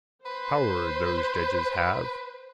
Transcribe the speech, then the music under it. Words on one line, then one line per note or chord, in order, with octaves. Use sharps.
Power those judges have.
B4 C5